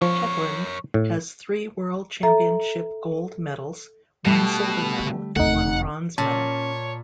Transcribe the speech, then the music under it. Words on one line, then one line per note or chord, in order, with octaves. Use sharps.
Hetland has three World championship gold medals, one silver medal and one bronze medal.
F3 A#4 C#5
A2
A4 E5 A#5
B2 G3 A3
D3
F1 E2 A3 D#4 F#5
A#2 C#4 C#5 A5